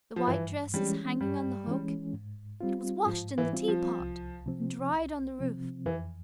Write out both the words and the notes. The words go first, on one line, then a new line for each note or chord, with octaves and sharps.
The white dress is hanging on the hook; it was washed in the teapot, and dried on the roof.
F3
G2 E3
E3 G3 G#3 C#4
G2 G3
E3 G#3 C#4
G#2
G3 C4 F4
G#2 F3
E3
G3 C4 F4
F3
C2
C3 F3 C4
C2
C3 F3 C4
F2 E3